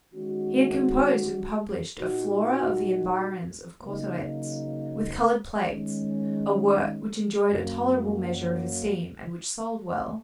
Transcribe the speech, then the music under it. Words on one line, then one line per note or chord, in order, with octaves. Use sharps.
He had composed and published a Flora of the Environs of Cauteretz, with colored plates, a work which enjoyed a tolerable measure of esteem and which sold well.
D#3 G#3 C#4 F#4
A#2 A#3 D#4 F#4
C#3 F#3 A#3 D#4
D#3 G#3 C#4
F#2 F#3 A#3